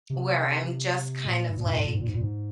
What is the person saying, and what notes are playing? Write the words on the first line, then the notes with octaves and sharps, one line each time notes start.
where I'm just kind of, like
C3
A#2
G#2
A#2
G#2
A#2
G#2
A#2
G#2
A#2
G#2
A#2
G#2